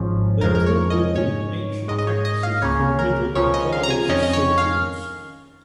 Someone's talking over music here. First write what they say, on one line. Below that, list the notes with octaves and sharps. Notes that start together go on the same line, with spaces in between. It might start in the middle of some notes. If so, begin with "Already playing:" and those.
They brought with them ancient practices from the Middle and Far East silk routes.
Already playing: G#1 G#2 F3 C#4
F2 F3 G#3 C#4 A#4
A#4
C#5
D#5
G#2 D#3 C#4 C#5
G#2 D#3 G#3 D#5
D#5
C#5
D#5
F5
C#2 C#3 A#3 C#4 C#5
A#4
C#2 C#3 F3 C#4 C#5
D#5
F5
A#5
G#5
F2 D#3 C#4 D#5
D#5
C#5
F5